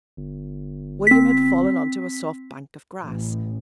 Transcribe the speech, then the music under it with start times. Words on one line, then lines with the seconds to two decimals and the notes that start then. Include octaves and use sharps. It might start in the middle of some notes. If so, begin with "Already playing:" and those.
William had fallen on to a soft bank of grass.
0.17 G1
1.07 C4 B6
3.04 A1